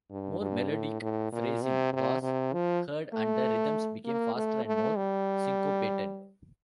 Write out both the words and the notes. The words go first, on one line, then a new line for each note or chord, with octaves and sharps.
More melodic phrasing was heard and the rhythms became faster and more syncopated.
G2
G2
A2
A2
A#2
C3
C3
C3
F3
A3
A#3
A3
A3
G3